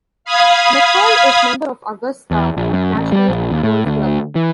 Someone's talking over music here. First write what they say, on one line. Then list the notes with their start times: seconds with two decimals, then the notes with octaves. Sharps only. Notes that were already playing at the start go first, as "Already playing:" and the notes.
McColl is member of Augusta National Golf Club.
0.25 F5 B5 D#6 G#6
2.31 E2
2.57 A#1
2.73 F#2
2.94 A1
3.12 G3
3.29 A#1
3.51 D#2
3.63 A2
3.86 D2
4.35 E3